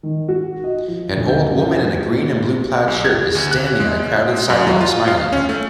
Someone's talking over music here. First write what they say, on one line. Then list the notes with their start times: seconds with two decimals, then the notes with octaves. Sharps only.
An old woman in a green and blue plaid shirt is standing on a crowded sidewalk smiling.
0.03 D#3
0.28 F#4
0.64 D#5
0.88 F3
1.17 D2
1.29 G6
1.51 F#2
2.88 B1
3.05 G#6
3.35 D2
3.51 F#6
3.80 G#3
4.50 F#2
4.67 F#3
4.81 F4
5.08 F5
5.33 C#4
5.49 A3